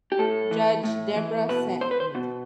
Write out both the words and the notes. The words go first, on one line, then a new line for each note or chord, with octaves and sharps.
Judge Debra sent me.
G4
A2 A4
E3
A2
E3
B2 B4
C5
B4
C5
B2